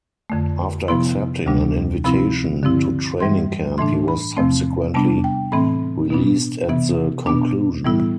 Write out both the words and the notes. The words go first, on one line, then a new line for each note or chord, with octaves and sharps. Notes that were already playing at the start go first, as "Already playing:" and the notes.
After accepting an invitation to training camp he was subsequently released at the conclusion.
F2 D3 A3
C3 F3 B3 E4 C6
D2 C3 G3 D4
C3 F3 C4 E4 B5
G2 D3 F3 C4 E4
G2 E3 G3 C6
A2 E3 A3 D4 C6
B5
E2 C3 F3 A3 C4
C3 G3 B3 D4 A5
G5
A2 E3 A3 C4 B5
B2 B3 D4
C3 E3 B3
B2 B3 D4 D6
A2 E3 G3 B3 E4